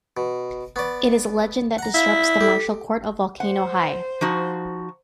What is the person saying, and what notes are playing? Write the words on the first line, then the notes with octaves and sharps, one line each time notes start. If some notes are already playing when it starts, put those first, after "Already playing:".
It is a legend that disrupts the Martial Court of Volcano High.
B2
B3 D5 B5 C#6
F#5 A#5
E4 F5 B6
G4 A4
C5 F#5
F3 D#4 F#4